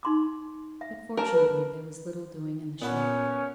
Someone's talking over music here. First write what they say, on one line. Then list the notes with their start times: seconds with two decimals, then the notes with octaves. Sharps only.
But fortunately there was little doing in the shop.
0.03 D#4 C6 D6
0.81 E5
1.17 A#4 A5
1.33 B4
2.82 A#2 B3 C#4 B4 F#5 A5